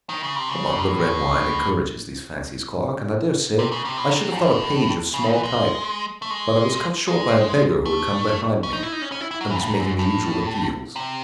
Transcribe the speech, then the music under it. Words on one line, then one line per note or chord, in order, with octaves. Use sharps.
A bottle of red wine encourages these fancies, Clarke, and I dare say I should have thought a page of small type, but I was cut short by a beggar who had come behind me, and was making the usual appeals.
D#3
C#3
C3
C#3
C3
A2
C3
C#3
C3
A2
C3
G#2
A2
C#3
D#3
E3
G#3
A3
G#3
G#3
A3
C#4
D#4
E4
D#4
C#4
C#4
E4
E4
F#3
E3
A2
G#2
F#2
A2
C3